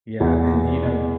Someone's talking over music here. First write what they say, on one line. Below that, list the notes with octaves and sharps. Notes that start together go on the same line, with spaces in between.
Yeah, and, y you know
E2